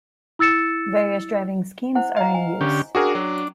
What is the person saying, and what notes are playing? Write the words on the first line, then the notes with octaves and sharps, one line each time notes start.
Various driving schemes are in use.
E4 E6 A6 C#7 E7
E4 C5 F#5
D#5 F5 A#5
G#5
D3 C#4 G4
C#4 D4 F#4 G#4 A#4
F#3